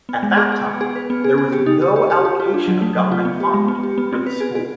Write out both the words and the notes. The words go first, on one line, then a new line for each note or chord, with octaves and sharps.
At that time there was no allocation of government fund for the school.
B3
G#3
G#4
G#4
B3
G#4
B4
B3
G#4
G#4
G4
D#4
G4
G4
G4
G4
F4
D4
F#3
A3
F#3
F4
B3
G4
G#3
B3
G4
B3
C4
B4
G#4
G#4